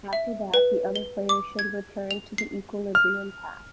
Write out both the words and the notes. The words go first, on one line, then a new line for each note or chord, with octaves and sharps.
After that, the other players should return to the equilibrium path.
E5
B4
G7
D6
G#6
F7
C7
F6